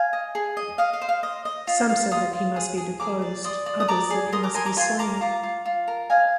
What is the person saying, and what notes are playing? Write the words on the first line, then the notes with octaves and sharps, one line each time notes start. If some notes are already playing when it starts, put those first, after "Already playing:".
Some said that he must be deposed, others that he must be slain.
Already playing: F5 G#5
D#5
G#4
D#5
D#5 F5
F5
C5
F5
D#5
D#5
F4
F4
F4 C6 D#6
F4
G#4
G#4
G#4 A#5 D6
D5
D5 C6 D#6
D5
D#6
D5 A#5 D6
G#4
A#4 C6 D#6
A#5 D6
A#4 G#5 C6
A#5 D6
F4 G#5 C6
A#4 A#5 D6
F4 A#5 D6
F4
F4
A#4
D#5 F5 G#5